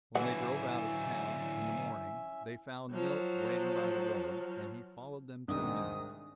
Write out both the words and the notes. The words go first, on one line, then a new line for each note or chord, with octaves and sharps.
When they drove out of town, in the morning, they found Milt waiting by the road, and he followed them till noon.
D3 E3 F#3 C#4 E5 F#5
F3 F#3
C2 G#2 D#3 D4 D#6